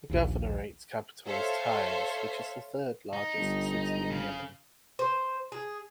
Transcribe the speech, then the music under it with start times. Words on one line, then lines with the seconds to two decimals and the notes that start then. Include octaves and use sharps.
The governorate's capital is Taiz, which is the third largest city in Yemen.
0.10 A#1 D#2
1.25 A4 C5 C#5 E5 F5
3.13 D#4
3.37 G1
4.10 C#3
4.99 C5
5.52 G#4